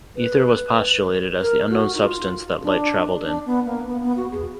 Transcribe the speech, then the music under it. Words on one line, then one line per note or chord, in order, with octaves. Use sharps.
Ether was postulated as the unknown substance that light traveled in.
B4
A#4
F#4
D#4
F4
D4
D4
B3
A#3
B3
B3
F#4
G#4